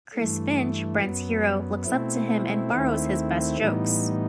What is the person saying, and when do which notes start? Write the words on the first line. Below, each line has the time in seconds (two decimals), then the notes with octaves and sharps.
Chris Finch, Brent's hero, looks up to him and "borrows" his best jokes.
0.15 G2 E3 A3
1.01 F#2 F#3 B3
1.86 B2 A3 C4 E4
2.71 D#2 D#3 A3 C4 E4
3.57 A2 E3 G3 B3 D#4